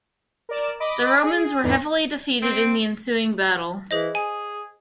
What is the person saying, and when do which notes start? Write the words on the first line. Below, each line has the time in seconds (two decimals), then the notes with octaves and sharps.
The Romans were heavily defeated in the ensuing battle.
0.49 A#4 D5 E7
0.80 D#5 B5 D6
1.22 G#4
1.63 E2 G#2 D3 B3
2.41 C4
3.91 E3 G#4 C5 D#5
4.15 G#4 G#5